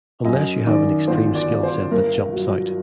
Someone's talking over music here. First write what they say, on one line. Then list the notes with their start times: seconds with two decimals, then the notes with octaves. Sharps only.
Unless you have an extreme skill set that jumps out.
0.24 F#2 D#5
0.66 D#3 D5
1.07 G1 C5
1.35 D5
1.49 G1
1.63 C5
1.91 G2 A#4
2.33 F#3